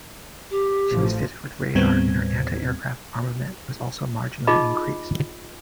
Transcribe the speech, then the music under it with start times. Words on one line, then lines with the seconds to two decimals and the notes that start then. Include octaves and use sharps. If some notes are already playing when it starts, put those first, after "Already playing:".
She was fitted with radar and her Anti-Aircraft armament was also marginally increased.
0.50 G4
0.90 A1 F3
1.75 D#2 A2 G3 B3 C4 G#6
4.47 D#4 F4 G#4 D#5 B5 D6